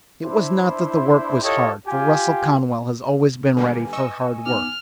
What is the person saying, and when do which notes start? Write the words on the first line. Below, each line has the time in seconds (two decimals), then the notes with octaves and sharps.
It was not that the work was hard, for Russell Conwell has always been ready for hard work.
0.24 D4 E4 C5
1.43 E4 F4 G4 A4 C#5 D#5
1.87 F4 G4 G#5
3.57 D3 G3 A#3 B4 G#5
3.93 D#5 C#6 E6
4.46 B3 D#4 D6 F6